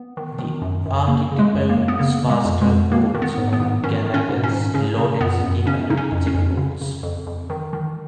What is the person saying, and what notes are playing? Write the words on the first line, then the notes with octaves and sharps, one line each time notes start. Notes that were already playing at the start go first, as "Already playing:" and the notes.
The archetypal sparse-graph codes are Gallager's low-density parity-check codes.
Already playing: B3
D#3
D#3
F#2
F#2
C#3 A#3
C#3
G#3
F#2
A#3
F#2
B3
C#3 A#3
C#3
G#3
F2
G#3
F2
D#3 A#3
D#3
B3
G#2
B3
G#2
D#3 C#4
D#3
C#4
G#2
C#4
G#2
C#3 C#4
C#3
F#2 B3
F#2
C#3 C#4
C#3 D#4
C#4
F2
C#4
F2
C#3
C#3
F2
F2
D#3
D#3